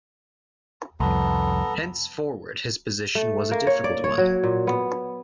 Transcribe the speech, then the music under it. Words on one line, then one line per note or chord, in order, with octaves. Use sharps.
Henceforward his position was a difficult one.
C2 F2 B3 A4 A#5
A3
A#3
C#5
D5
C#5
F#3
A#2
B3